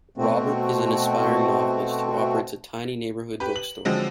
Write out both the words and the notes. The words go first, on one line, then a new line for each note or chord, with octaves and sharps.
Robert is an aspiring novelist who operates a tiny neighborhood bookstore.
B2 A3 C4 F#4
G4 B4
F#7
D3 F3 F#3 G#3 C4